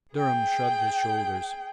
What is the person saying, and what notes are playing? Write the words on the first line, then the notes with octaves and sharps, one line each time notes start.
Durham shrugged his shoulders.
G#4 G5